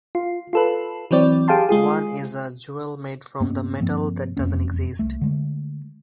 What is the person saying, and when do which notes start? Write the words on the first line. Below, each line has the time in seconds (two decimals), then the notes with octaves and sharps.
One is a jewel made from "the metal that doesn't exist".
0.15 F4
0.53 F4 A4 B4
1.11 E3 F#3 C4 D5
1.48 G4 G#4 F5 G5 A5 C6
1.69 G#3 F4 G#4
3.40 G2 A#3 B3 C#4
3.81 G2 F3 A#3 C4
4.37 E1 F2 A#3 C#4
4.99 C2 A3
5.21 D3 G#3 A3